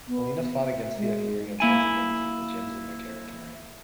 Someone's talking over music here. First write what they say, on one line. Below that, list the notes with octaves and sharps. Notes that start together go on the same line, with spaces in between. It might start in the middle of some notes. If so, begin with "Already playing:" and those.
Alena fought against the Etherians once again to keep the gems in their territory.
B3
E5
G#3
A#3 E4 G#5